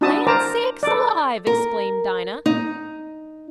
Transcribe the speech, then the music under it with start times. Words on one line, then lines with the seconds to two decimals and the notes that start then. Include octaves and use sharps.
"Land sakes alive!" exclaimed Dinah.
0.01 D4 E4 F#4 E5 A5 D#6
0.27 A#4 C5 A5 A#5 D6
0.83 A4 D5
1.47 A#4
2.46 D#4